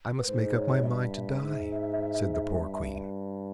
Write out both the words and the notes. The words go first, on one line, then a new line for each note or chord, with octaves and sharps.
"I must make up my mind to die," said the poor Queen.
B4
G#2 C5
C#5
G2 E5
G#2
G2